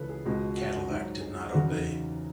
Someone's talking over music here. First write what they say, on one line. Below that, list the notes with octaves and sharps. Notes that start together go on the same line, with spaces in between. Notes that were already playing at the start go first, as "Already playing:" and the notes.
Cadillac did not obey.
Already playing: C#2 C#3 E3 A4 B4
G#4
C#2 B2 G#3
F#4
G#4
G#2 F#3
G#4
E2 C#3 F#3 F#4
D#4